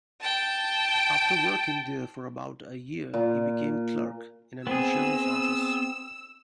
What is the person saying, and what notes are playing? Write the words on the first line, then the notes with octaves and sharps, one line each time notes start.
After working there for about a year he became clerk in an insurance office.
G5 A5
A#2
B3 C4 G#4 E6